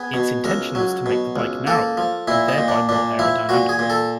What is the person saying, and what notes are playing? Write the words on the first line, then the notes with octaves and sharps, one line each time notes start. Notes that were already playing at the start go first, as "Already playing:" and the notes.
Its intention was to make the bike narrower, and there by more aerodynamic.
Already playing: B3 G#4
B2
C#2 A#4
F#3
B2
C#2
A#3 A4
F3
A#2 E4
D#4
A#2
D4
A#2 D4
F3 E4
A#2 F#4
G#4
A#2
A4